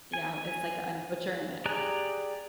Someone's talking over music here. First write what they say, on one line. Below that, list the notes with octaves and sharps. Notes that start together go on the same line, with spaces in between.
Yeah, w it's like I'm butchering it,
G#5
G4 G#4 D5 A#5 F#6